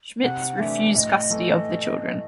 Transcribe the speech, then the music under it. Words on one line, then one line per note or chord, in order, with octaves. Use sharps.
Schmitz refused custody of the children.
C3 F#5
E3 A3 D4 E5
A2 D#5 E5
E3 A3